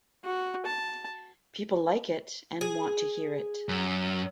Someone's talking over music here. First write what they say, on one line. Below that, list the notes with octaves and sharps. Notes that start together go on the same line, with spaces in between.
People like it and want to hear it.
F#4
A5
G#4
F#2